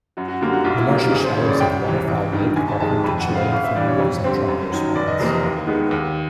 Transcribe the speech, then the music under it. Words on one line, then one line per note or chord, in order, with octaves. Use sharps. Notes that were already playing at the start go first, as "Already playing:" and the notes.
The marshy shallows of Waterfowl Lake are home to Chilean flamingos and trumpeter swans.
F#2 F#4
F#4
D3 G3 A#3 F4
F#4
B1 F4
E4
B2 G3 A#3 F4
F4
G#1 G#4
C5
F#2 C#3 C#5
D5
C2 G5
C3 E3
A1
G2 D#3
G1 G#5
A5
F2 C3 D#3 G#3 A5
F2 B5
F#5
C#3 F3
F5
G1 F5
E5
G2 E3 G3 D5
C#5
F2
D3 G3 C4
F#2
D#3 F#3
F1 D5
D#5
E2 C3 F3 A#3 D#5
D#5
D#2
D#3 G#3 B3
D#2